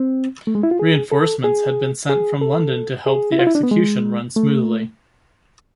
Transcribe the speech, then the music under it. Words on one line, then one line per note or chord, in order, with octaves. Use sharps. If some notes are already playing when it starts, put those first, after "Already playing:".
Reinforcements had been sent from London to help the execution run smoothly.
Already playing: C4
A3
G#3
E4
F4
G#4
A4
G#4
G#4
A4
G#4
E4
F4
E4
D4
B3
G#3
A3